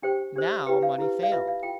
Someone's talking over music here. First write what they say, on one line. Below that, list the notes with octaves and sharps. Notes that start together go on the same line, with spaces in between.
Now money failed.
D4 G4 C5 G5
D4 G4 C5
E4 G4 B4 G5
F5
E4 G4 B4
F5
F4 B4 E5
F5
F4 G5